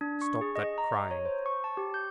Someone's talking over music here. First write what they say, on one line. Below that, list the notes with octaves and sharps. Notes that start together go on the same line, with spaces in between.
'Stop that crying.
D4
C#6
G#4
D#5
A#5
C#5
C5
C#6
A5
G4
G6